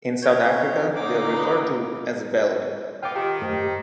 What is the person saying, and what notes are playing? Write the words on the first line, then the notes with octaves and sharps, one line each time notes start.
In South Africa they are referred to as veld.
C#5 G6
C4
D3 A#3 C#4 D#4 D6
B4
B3 D#4 F4 G5 D6
D#3 F4 G4 A5
F#2 A3 G4 A#4 C5 A5